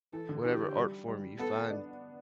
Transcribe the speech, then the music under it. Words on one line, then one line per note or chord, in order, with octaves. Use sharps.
whatever art form you find
E3 A4
D3
E3 G4
G3
G3
B3 A4
D4